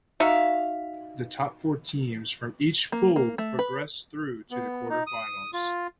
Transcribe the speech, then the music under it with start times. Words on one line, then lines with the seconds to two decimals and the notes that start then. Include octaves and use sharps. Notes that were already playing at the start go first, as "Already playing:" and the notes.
The top four teams from each pool progressed through to the quarter-finals.
0.20 D#4 F#4 E5 F5
2.92 A#3
3.16 A#3
3.38 A3
3.59 B4
4.51 B3
4.90 D#4
5.07 D#6
5.53 F4